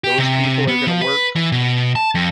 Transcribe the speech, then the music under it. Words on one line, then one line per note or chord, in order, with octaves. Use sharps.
those people are gonna work
G4
C3
C3
B3
F3
B4
E3
B2
A5
F2